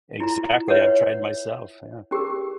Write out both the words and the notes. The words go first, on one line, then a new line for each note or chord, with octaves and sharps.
Exactly. I've tried myself. Yeah.
E4 F4 A#5
B4 C#5 E5 F#5
C#4 G4 G#4 A#4